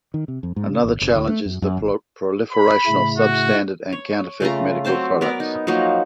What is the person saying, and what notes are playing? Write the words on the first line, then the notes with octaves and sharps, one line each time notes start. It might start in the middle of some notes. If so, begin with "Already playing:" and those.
Another challenge is the proliferation of substandard and counterfeit medical products.
D#3
C3
F2
G#2
C#3
G#1
F#1
D2
A3
F#2
F#2
G#1
B5
A2 C#3 A3
F#4
C#5
C#3 A3 F4 A#5
F#3 C4 C5 A5
B3 A#4 D5
D#4
F3 F#3 A#3 D#4